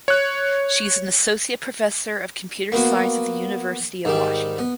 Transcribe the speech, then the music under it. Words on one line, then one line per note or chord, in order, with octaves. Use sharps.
She is an associate professor of computer science at the University of Washington.
C#5 F#6
A#3 B3 F#4
G#2 D#3 G3
B3